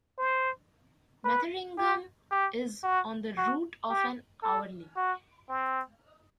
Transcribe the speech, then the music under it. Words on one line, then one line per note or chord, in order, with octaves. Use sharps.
Metheringham is on the route of an hourly.
C5
B4
G4
G4
F#4
F#4
G4
A4
F#4
C4